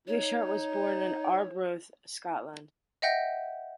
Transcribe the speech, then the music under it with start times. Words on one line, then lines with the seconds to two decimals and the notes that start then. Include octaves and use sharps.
Wishart was born in Arbroath, Scotland.
0.07 D#4 C#5
3.02 D#5 E5 F#5 G5 G6 A#6